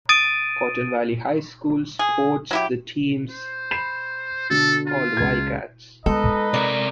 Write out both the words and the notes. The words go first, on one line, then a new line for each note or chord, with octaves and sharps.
Cotton Valley High School sports the teams called the Wildcats.
D#6 A6 D7 D#7
G#4
F#3 E4 G4
C5
B5 C7 E7
B2 D3 A4
F4
C#2 G#6
G#3 B3 D#4 A4 B4 D#5
C3 A#4 D5